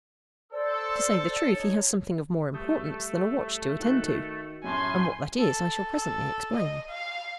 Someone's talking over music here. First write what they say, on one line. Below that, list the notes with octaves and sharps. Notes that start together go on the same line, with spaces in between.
To say the truth, he has something of more importance than a watch to attend to--and what that is, I shall presently explain.
A4 C5 D5 E6
D#4 C#5
G3 A3 A4 D#6 G6
D#3 F#4 F#6
F#2 A2 G#5 A5 C6
A4
A4
D#5
F5